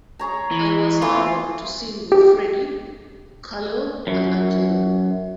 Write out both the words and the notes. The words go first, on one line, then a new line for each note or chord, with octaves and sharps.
I was humbled to sing with Freddie, Carlo and Angelo.
G#4 C#5 A#5
E3
E3 F3 A3 F4
G4
F#2